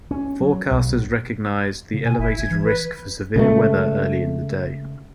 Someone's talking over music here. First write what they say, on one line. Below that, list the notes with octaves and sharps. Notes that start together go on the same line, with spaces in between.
Forecasters recognized the elevated risk for severe weather early in the day.
C#4
F#3
B1
C#3
B2 G#5
F#1 E4
G1 G#6
E3
B4
C#3 G#3 A3